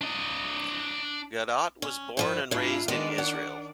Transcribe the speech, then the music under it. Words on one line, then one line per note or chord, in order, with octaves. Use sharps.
Gadot was born and raised in Israel.
D4 D#5
C#4
G2 F3 E4
G#2 D4 E4 F4
D#3 G#3 B3 D4 D5
F#5